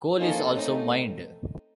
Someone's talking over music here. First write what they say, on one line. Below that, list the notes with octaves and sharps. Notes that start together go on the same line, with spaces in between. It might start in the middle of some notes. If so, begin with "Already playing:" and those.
Coal is also mined.
A#3 C#4 D#4 F4 A4 C5
A3 C4 C#4 D#4